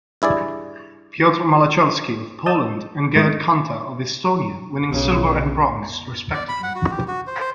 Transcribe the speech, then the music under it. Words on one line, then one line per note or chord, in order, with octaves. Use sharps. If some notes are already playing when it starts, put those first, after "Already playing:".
Piotr Malachowski of Poland and Gerd Kanter of Estonia winning silver and bronze, respectively.
G2 E4 G#4 D5
D5 D#5 A5 D#6 E6 G6
G#2 A3 E4 D#5
B1 C#3
D5
B5
F#5
F#4
G4
F#4
C5
C5